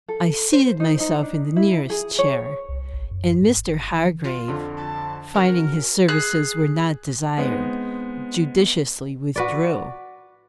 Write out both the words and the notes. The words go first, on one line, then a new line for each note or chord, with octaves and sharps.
I seated myself in the nearest chair; and Mr. Hargrave, finding his services were not desired, judiciously withdrew.
A4
C5
D#4
D#4
D4
E4
G#4
C#5
C2
G#1
F#2
G#2
G1
E3
F4
F2 D3
A5
C#4 F#4 A#4
G#4 F#6
G#3 B3 C4 D#4
F#4 B4 D5